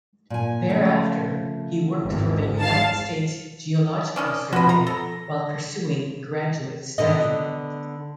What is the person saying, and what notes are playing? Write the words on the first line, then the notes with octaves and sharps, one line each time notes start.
Thereafter he worked for the United States Geological Survey while pursuing graduate study.
A#2 G#5
C#3 F3 A3
G#1 E2
F5 A5
D#3 C#4 D4
F2 F3 F#4 B4
A#5
A4 A#6
D3 B3 D#5